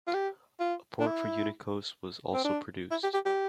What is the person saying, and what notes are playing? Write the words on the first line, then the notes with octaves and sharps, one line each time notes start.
A port for Unicos was also produced.
F4
G4
F4
D4
E4
C4
D4
E4
G4
G4
G4